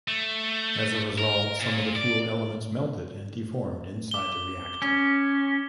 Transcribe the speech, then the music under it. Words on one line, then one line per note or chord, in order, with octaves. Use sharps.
As a result, some of the fuel elements melted and deformed inside the reactor.
A3
A#4
A#2
D5
D6 G7
C#4